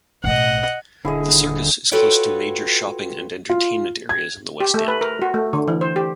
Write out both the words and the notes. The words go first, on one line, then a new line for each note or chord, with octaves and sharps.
The Circus is close to major shopping and entertainment areas in the West End.
B1 A2 D#5 F#5
D#1 D3 E4 G#4 D#5
F4 F#4 A4 B4 C#5 G5
F4
G#6
G4
A3
B4
A#4
F#4
A3
D3
E3
C5
G4